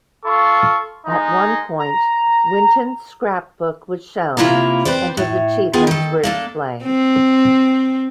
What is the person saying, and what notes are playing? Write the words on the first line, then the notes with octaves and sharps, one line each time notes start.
At one point, Winton's scrapbook was shown and his achievements were explained.
F4 A4 C#6
G#3 D#4
A#5
C3 A#3 E4 F4 A#5
C4 B4 C5 D5
A2
B3 F4 G#4 G5 G#5
D#3 A4
A#3 D4 A4
C4